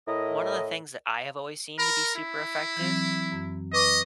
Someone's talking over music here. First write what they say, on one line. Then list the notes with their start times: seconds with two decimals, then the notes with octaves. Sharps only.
One of the things that I have always seen to be super effective
0.08 A2 E4 A#4 D#5
1.79 A#4 B5
2.16 E4
2.77 E3 F#3 C4
3.32 F#2
3.73 B4 D#5 C#6 D6